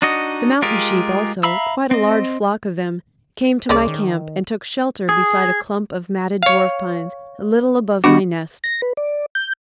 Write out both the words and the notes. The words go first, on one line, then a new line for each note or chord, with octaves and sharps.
The mountain sheep also, quite a large flock of them, came to my camp and took shelter beside a clump of matted dwarf pines a little above my nest.
D4 D#4 F#4 D#5
G#3 F4 G4 G#4 A#4
E5 F5 A#5 B5 E6
C4 D#5
C2 G#3 C#4 D5
D#3
G#4
C#5 F5
D#3 B3 D4 F#4
A#6
B4
D5
G6